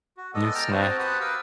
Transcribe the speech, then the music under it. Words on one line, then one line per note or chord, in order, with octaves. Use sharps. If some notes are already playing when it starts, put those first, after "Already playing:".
New snack.
F#4
G#3 B3 A4 D5 D#5
G5 A5 A#5 F6
C4 F#4 C5 D#5 A5
G4 B4 C5 F#5 A5 D#6
A#4 B4 F5 D#6 E6